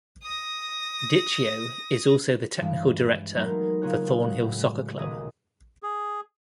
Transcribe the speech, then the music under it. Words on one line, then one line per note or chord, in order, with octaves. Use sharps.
Dichio is also the Technical Director for Thornhill Soccer Club.
D#6 A#6
G2 E3 G#3
F#3 A3 B3 D#4 A#4 C5
C#3 A#3 F4 G#4 C#5 F#6
G#3 F#4
A2
D#1 B1 G#4 D#5 D#6
G#4